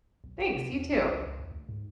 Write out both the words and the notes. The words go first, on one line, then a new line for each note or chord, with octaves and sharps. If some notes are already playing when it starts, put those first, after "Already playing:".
Thanks you too.
B1
A#1
C3
E2
G#1
C#2
C#2
D#2
D2
G#2